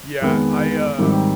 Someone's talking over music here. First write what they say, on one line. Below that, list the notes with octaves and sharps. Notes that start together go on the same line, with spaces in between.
Yeah. I, uh,
F2 D#3 G#3 B3
G#2 D#3 G3 C4 G4